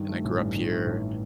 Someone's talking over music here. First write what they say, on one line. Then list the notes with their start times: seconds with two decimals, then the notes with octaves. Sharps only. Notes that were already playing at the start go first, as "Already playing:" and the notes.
and I grew up here."
Already playing: G2 D#3
0.08 A3
0.25 A1
0.40 G2
0.55 D#3
0.71 A3
0.87 A1